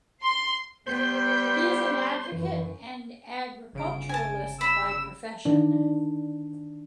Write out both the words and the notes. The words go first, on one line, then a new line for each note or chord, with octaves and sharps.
He is an advocate and agriculturalist by profession.
C6
G3 B3 C5 G5 C6 G6
F#2 E3
G1 C#3 D7
G#5 A5
B5 E6
D#3 D4